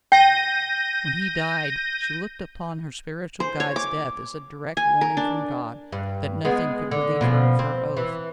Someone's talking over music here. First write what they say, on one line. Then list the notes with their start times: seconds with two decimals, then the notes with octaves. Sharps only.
When he died, she looked upon her spiritual guide's death as a direct warning from God, that nothing could relieve her of her oath.
0.12 G5 G6 A#6 D#7
3.40 C5
3.60 C#5
3.76 D6
4.77 G#5
5.01 A#4
5.17 D4
5.92 G2
6.45 G#3 B3
6.91 D3
7.21 B2 F3 C#4
7.59 C4
7.97 E3